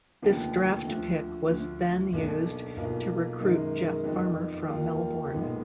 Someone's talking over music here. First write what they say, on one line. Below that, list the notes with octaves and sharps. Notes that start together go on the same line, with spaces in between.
This draft pick was then used to recruit Jeff Farmer from Melbourne.
F1 D#2 D3 F3 B3
D2 D3 F3
D2 D3 F3
B1 B2 A#3 D4
B1 B2 A#3 F4
F#2 D#3 G#3 D#4
F2 F3 B3 D#4
D#2 D#3 A#3 F4
B1 A#2 G#3 B3 D#4